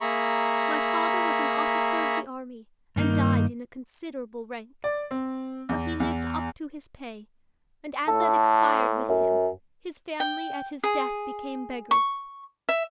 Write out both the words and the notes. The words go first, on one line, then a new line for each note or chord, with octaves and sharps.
My father was an officer of the army, and died in a considerable rank: but he lived up to his pay; and, as that expired with him, his family, at his death, became beggars.
A#3 G#4 E5 A#5 B5 C#6
G2 D#3 A#3 D#4
D5
C4
E2
E2
A2 A4
F#2
G5
G#4
C#6
E5